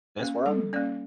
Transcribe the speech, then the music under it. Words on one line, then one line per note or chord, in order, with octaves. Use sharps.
This world?
A#3 C#4
G3 A4
A#3 C#4 D5